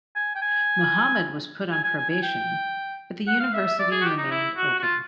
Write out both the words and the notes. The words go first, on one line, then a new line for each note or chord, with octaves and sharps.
Muhammad was put on probation, but the university remained open.
G#5
G5
G#5
G#5
G#5
G#5
G#5
G5
F#5
F5
E5
E5
D5
G#4
F#4
G4
D#4
E4
F#4
F#4
F4